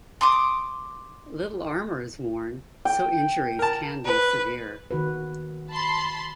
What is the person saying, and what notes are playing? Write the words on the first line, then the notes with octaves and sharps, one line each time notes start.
Little armor is worn, so injuries can be severe.
C6 D6 D#6
G5
A#4 A5
B4
D#3 F#4 B4
A5 B5 C6